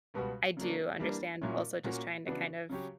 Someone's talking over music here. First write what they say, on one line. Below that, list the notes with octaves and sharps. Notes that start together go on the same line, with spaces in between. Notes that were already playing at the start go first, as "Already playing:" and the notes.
I do understand also just trying to kind of
C#2 B2 G3 B3 F#4
C#3 F#3 A#3 D4
E3 G3 A#3 D4
A#2 F#3 A#3 C#4 E4
A#2 A#3 C#4 F#4
C#3 E3 B3 D4 F#4
C#3 F#3 C#4 G4